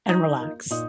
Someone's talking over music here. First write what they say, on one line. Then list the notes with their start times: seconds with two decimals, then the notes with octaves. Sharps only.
and relax."
0.09 F#3 D#4
0.40 A#3 F4 A#4
0.70 A#2 D#4